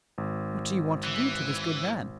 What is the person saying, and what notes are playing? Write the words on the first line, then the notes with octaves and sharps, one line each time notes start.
What do you want to do to this good man?
G#1
E3